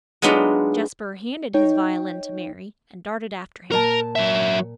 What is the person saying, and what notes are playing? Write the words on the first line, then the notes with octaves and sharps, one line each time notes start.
Jasper handed his violin to Mary, and darted after him.
F#3 G#3 B3 D4 D#4 F4
D#4 C#5 G5
A#2 A#4 C#5 A5
F#3 E5